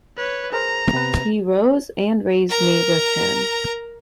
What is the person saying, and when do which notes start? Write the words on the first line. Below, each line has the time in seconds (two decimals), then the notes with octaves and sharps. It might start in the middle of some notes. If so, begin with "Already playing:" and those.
He rose and raised me with him.
0.17 B4 C#5
0.52 G#4 A#4 C5 A#5
0.93 C3 B3 B4
2.49 A#4 A#5